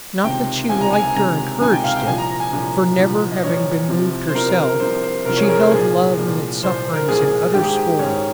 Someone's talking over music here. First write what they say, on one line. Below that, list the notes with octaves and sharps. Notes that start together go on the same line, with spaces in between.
Not that she liked or encouraged it; for, never having been moved herself, she held love and its sufferings in utter scorn.
C#2 C3 D#3 G5
C#2 C3 D#3 G#5
A#5
G#5
G#5
C#2 C3 D#3 A#5
C#2 C3 D#3 G#5
G5
F5
G5
C2 A#2 F3 G#5
A#5
A#5
G#5
C2 A#2 F3
C2 A#2 F3
D#5
C2 A#2 F3 C#5
C2 C3 F3
C5
C2 C3 F3 A#4
A#4
A#4
C2 C3 F3 C5
C5
C2 C3 F3 A#4
C#5
G#4
A#4
C5
C2 A#2 F3 G#4
C2 A#2 F3
C2 A#2 F3 C5
A#4
C2 A#2 F3 G#4
G#1 G#2 D#3 G4
G#4
G4
G#1 G#2 D#3 C#4